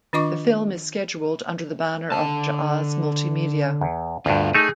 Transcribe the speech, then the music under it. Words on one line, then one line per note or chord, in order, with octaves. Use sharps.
The film is scheduled under the banner of Jaaz Multimedia.
D#3 D4 F4 D#5 C#6 D6
D3 A5
E2
D2 G2 D4 F4
A3 D#4 G#4